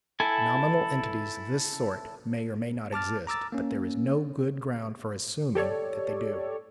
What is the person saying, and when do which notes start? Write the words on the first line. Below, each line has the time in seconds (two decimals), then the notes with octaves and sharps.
Nominal entities of this sort may or may not exist, but there is no good ground for assuming that they do.
0.20 E4 A4 G#5
2.93 A5 D6 F6 A6
3.27 A#5 D6 E6 A6
3.52 A#3 C#4
5.55 G4 A4 C#5 D5